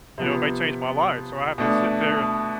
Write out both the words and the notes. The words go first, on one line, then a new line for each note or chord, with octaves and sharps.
you know, may change my life, so I have to sit there and
C3 F3 B3
B2 A3 D4